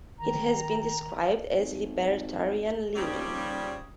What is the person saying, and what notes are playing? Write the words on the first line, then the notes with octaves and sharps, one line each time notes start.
It has been described as Libertarian-leaning.
D#3 A#5
G#1
D#1 C#3 F3 G3